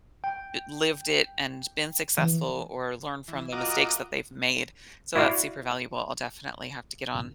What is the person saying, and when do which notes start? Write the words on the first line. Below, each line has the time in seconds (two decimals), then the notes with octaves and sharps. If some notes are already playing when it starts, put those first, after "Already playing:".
i lived it and been successful or learned from the mistakes that they've made, so that's super valuable, I'll definitely have to get on
0.24 G5
2.18 E3
3.28 E3
3.52 F4 F#4 A#4 D#5 D6
5.15 E4 F#4 D5 F5